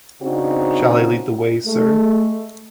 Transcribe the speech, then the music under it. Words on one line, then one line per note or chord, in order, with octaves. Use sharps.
Shall I lead the way, sir?
C#3 C4 D4 D#4 F#4
G#3 A3